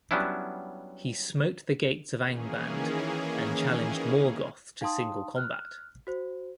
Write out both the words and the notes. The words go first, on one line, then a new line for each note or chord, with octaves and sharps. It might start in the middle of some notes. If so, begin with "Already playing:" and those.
He smote the gates of Angband and challenged Morgoth to single combat.
F#3 G3 B3 C#4 D4 E4
D#3 E3 A#3 C#4 G#4
D#4 F5 G5 A5 C6 D#6
F6 F#6
F#4 C5